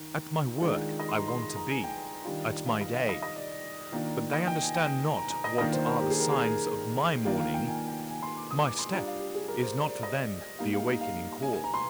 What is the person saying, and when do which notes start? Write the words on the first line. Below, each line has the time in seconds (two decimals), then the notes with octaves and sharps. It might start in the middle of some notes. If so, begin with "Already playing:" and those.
At my work I want to be, at my day: but they understand not what are the signs of my morning, my step--is not for them the awakening-call.
Already playing: D#3
0.57 D#3 G#3 D4 F4
1.00 D#5
1.09 C6
1.14 A#5
1.28 C6
1.42 C6
1.56 A#5
1.70 G#5
1.84 G5
2.25 D#3 G3 D4 F4
2.66 F5
2.81 D#5
2.94 F5
3.09 D#5
3.22 D#5
3.36 D5
3.92 D#3 A#3 D4 F4
4.33 D#5
4.47 G5
4.62 G#5
4.75 G5
5.17 A#5
5.30 A#5
5.44 D#5
5.58 D#3 A#3 D4 F4 D#5
5.73 C5
5.87 A#4
6.00 G4
6.10 G#4
6.21 A#4
6.31 G#4
6.42 A#4
7.26 D#3 A#3 D4 F4 D5
7.40 F5
7.54 G5
7.67 G#5
7.88 G5
8.08 G#5
8.22 C6
8.36 D6
8.51 D#6
8.65 D6
8.79 C6
8.93 G3 D4 F4 A#5
9.07 F5
9.20 G4
9.35 G#4
9.48 A#4
9.62 C5
9.76 D5
9.89 D5
10.03 D#5
10.59 G3 A#3 D#4 F5
10.73 F5
10.87 D#5
11.01 F5
11.43 G#5
11.53 G#5
11.64 A#5
11.74 C6